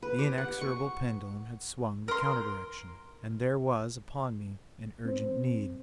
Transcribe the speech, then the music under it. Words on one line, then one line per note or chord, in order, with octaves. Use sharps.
The inexorable pendulum had swung the counter direction, and there was upon me an urgent need.
B4
G4
F#5
C#6
A#4 C6
C4 C5